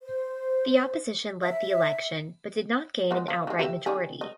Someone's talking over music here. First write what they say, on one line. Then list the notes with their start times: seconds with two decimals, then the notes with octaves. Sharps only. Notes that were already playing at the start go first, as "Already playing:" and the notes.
The opposition led the election, but did not gain an outright majority.
0.01 C5
1.42 E5
3.11 G#3 B3
3.28 F3
3.47 D#3 G#3
3.59 G4 B4 E5
3.86 D#3 G3 G#4
4.21 D#5